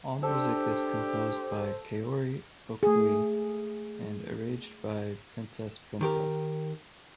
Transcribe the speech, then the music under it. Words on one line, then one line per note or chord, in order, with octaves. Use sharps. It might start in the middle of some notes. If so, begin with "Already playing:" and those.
All music is composed by Kaori Okui and arranged by Princess Princess.
D4 G4 A4 C5
A3 G#4
D#3 G4 A#4